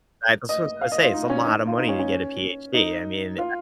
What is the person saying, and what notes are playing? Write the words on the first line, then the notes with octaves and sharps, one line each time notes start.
I that's was gonna say it's a lotta money to get a PhD. I mean a
D#5
F5
D#5
F4
D#4
C#4
D#4
F4
D#4
C#4
C#4
D#4
F4